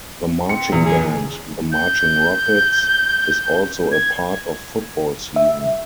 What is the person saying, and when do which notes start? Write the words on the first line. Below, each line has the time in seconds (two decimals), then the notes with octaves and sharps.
The marching band, the Marching Rockets, is also a part of football season.
0.49 C4 C#7
0.72 E2 A#2
0.85 G#4
1.72 G6
3.92 G#6
5.36 E5